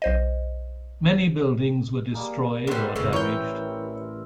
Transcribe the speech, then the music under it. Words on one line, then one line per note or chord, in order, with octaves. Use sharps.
Many buildings were destroyed or damaged.
B1 C5 D#5
G3 A#3 G#4
A2 G3 B3 C4 B4
F1 F2 C#3 F3 E5
A1 E3 E4 A#4 C#5 G5